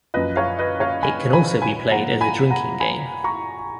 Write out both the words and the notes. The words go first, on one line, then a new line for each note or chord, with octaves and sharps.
It can also be played as a drinking game.
F#2 F3 B4 D#5
C#5 F5
B4 D#5
C#5 F5
G#5 B5
G#5 B5
G#5 B5
A#2 F3 F#5 A#5
G#5 B5
F#5 A#5
G#5 B5
A#5 C#6